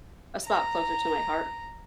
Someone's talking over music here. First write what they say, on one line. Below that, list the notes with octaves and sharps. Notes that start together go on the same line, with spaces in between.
a spot closer to my heart.
A#5